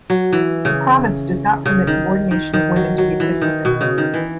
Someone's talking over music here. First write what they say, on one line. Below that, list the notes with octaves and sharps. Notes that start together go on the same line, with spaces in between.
The province does not permit the ordination of women to the episcopate.
F#3
E3
C#3
C#3
D#3
D#3
D#3
F#3
F#3
E3
D#3
B2
C#3
D#3
E3